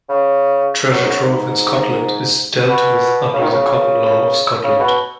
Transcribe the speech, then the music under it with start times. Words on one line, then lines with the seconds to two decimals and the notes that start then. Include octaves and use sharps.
Treasure trove in Scotland is dealt with under the common law of Scotland.
0.09 C#3
0.90 F#2
1.03 G#2
1.06 F#2
1.23 G#2
2.68 B2
3.33 C#3
3.41 D#3
3.49 C#3
3.67 C#3
4.64 C#3
4.80 B2